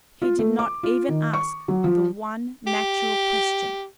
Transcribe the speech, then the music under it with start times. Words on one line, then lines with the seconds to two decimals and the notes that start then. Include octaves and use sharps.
He did not even ask the one natural question.
0.22 F4
0.39 A3
0.59 D6
0.83 F4
1.09 D#3
1.33 C#6
1.68 F#3
1.84 F3
2.67 G4